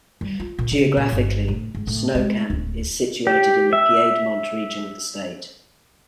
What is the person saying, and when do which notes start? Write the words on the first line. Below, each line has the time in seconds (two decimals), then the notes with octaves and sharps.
Geographically, Snow Camp is situated in the piedmont region of the state.
0.21 G3
0.40 F4
0.59 A#2
0.72 C#3
0.97 A#2
1.12 G1
1.48 A2
1.75 G#2
1.87 A2
2.15 G#3
2.50 D1
3.27 G4
3.73 E5